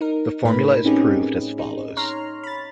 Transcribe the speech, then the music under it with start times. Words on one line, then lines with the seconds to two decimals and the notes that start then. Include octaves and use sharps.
The formula is proved as follows.
0.01 D#4 A#4
0.44 A2 A3 A#4 B4 B5
0.84 C4 C#4 D#4 G4 G#4
1.59 D#4
1.97 C#5 A#5 C6 F6
2.43 B5 A6